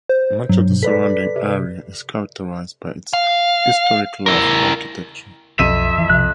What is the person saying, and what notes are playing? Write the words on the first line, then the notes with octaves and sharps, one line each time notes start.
Much of the surrounding area is characterized by its historic loft architecture.
C5
G2 F#3
G2 B2
A4 B4 D5 B6
C3
F5
E4 A#4
B1 F2 E5 D#7
E3
B1 C3 F3 F#6